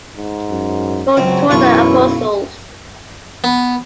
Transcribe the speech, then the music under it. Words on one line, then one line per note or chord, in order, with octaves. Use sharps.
So taught the Apostles.
G#2
F#2
C#2 F#3 C4
B1 F#2 E3 E4 F4 C#6
B3